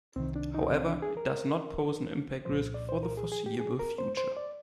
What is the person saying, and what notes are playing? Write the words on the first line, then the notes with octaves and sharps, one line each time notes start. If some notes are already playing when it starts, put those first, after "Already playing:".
However, it does not pose an impact risk for the foreseable future.
C2 C3 D#3 C4
D4
D#4
C4
D4
G#4
A#4
C2 A#2 F3 C5
D5
C5
A#4
G#4
G#4
G4
G#4
A#4
C5
C5
D5